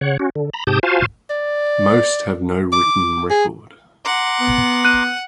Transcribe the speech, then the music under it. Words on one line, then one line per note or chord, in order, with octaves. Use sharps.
Most have no written record.
C#3 C#5 F#5
C#4 F#4
D3
A#5 B5
G#2 C3 G4 A5 D#6 G6
F4 F#4 C5 F5 G#5 A5
D5
D6
G#4
F#5 A#5 C6 D6
B3
F#6 D#7